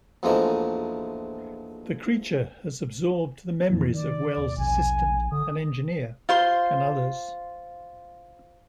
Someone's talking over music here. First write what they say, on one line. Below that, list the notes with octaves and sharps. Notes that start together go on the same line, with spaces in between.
The creature has absorbed the memories of Wells' assistant, an engineer, and others.
A#1 E2 F3 G#3 A3 A#5
F2 A#2 E3
D#3 D5
D#2 B2
A#1 G#5
D3 D#6
F4 C5 C6